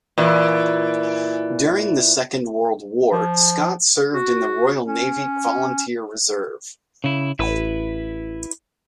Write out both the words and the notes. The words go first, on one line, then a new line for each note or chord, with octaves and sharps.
During the Second World War, Scott served in the Royal Navy Volunteer Reserve.
A#2 E3
F3
F#4
C#4
C#3 E4
A1 E4 B4